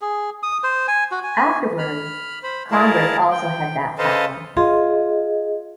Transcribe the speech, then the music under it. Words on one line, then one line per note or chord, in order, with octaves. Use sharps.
Afterwards, Congress also had that power.
G#4
D#6
C5
G#5
F#4
G#5
B5 F6
C5 B5
E4 G#4 A#4 D5 F5 A5
G5
A4 B4 C5 D#5 F5 A5
F4 G#4 D#5